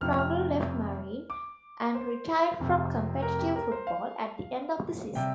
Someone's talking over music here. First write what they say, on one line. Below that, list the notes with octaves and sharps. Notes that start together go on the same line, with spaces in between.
Trundle left Marine and retired from competitive football at the end of the season.
F1 F2 C3 F3 F6
F6
D6
C5
F1 F2 C3
A#4
G4
A#4
C5
F5
C3 G3 G5